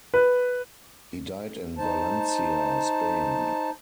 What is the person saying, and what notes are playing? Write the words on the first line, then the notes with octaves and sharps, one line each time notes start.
He died in Valencia, Spain.
B4
D#4 C5 A5